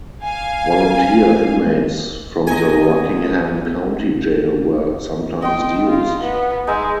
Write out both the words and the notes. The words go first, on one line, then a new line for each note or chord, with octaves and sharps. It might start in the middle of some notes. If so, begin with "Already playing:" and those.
Volunteer Inmates from the Rockingham County Jail were sometimes used.
F5 G#5
A2 B3 D#5 G#5
D#5 G5 C6
F4
B3
G#3 D#4 E5